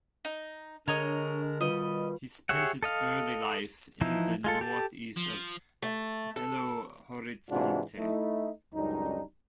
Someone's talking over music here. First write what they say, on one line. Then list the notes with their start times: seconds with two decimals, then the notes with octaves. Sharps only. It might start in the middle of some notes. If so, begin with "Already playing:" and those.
He spent his early life in the northeast of Belo Horizonte.
0.25 D#4
0.88 D3 G#3 D4 A#4 C#5 D#5 A#5
1.61 B2 D#3 G3 F4 B4 D#5
2.49 G4 G#4 C#5 E5 F#5
2.83 A4 D#5 F5
4.01 E3 F3 D#4 E4
4.44 G#3 F4 A4
4.61 G4 A4 A5
5.17 F3
5.82 A3
6.36 A4
7.50 G#2 C3 E3 D4 F4 F#4
7.98 A3 D#4 E4
8.75 C#2 F#2 G3 D4 D#4